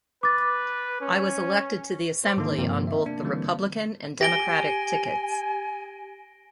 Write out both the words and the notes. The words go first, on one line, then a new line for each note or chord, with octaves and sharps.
I was elected to the Assembly on both the Republican and Democratic tickets.
B4 D6 A6
C#4
C5 C6 D6
G#2 D3 D#3 A#3 D#4
G2 C3 F3 G3 A#3 C4
E5
A#3 D4
D3 E3 G3 A#3 C4
G4 G#5 A#6 D7 G7